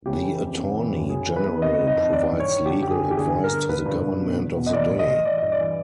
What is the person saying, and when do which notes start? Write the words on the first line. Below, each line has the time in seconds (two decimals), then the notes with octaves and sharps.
The Attorney General provides legal advice to the Government of the day.
0.06 C#3 G4
0.23 E3
0.40 F2
0.58 C#3
0.75 E3
0.93 F#2
1.10 C#3 G#4
1.27 E3
1.36 B4
1.45 E2
1.62 C3 D#5
1.78 D#3
1.87 D#5
1.96 F2
2.13 D#3 D5
2.30 G2
2.40 C#5
2.48 D#3
2.66 D3 G4
2.82 F#2 G4
2.91 G#4
3.00 D3
3.11 G4
3.17 D3 G#4
3.34 G2
3.44 A#4
3.52 D3
3.69 D3 B4
3.86 G2
4.03 D3
4.21 B2
4.38 E2
4.56 B2
4.66 D#5
4.73 E3 D5
4.90 A2
4.99 D#5
5.08 E3
5.25 E3 D5
5.38 G2 D#5
5.52 D5
5.59 E3